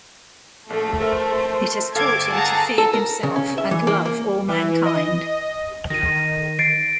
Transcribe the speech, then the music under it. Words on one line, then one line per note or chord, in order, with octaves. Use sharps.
It has taught him to fear himself and love all mankind.
A#1 A3 A4
A4 A#4 C5 E5
G1 A4 F5 D6 G#6
G#4 F#5 A5 A#5
A4
A#4
C#3
C#4
E5
E3
A#3
A#3
E3
D#5
D#3 A#6 D#7
A6 C7 D7